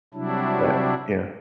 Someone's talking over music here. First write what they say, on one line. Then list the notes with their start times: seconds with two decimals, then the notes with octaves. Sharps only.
But, yeah.
0.14 C3 F#3 G3 D4 E4